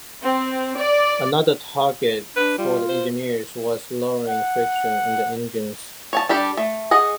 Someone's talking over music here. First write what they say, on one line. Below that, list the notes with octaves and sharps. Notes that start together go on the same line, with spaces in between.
Another target for the engineers was lowering friction in the engines.
C4
D5
D4 B4
G3 F4
C5
F#5
C#5 G#5 A5
G3 D4 G4 A4
A3
G#4 D#5 F#5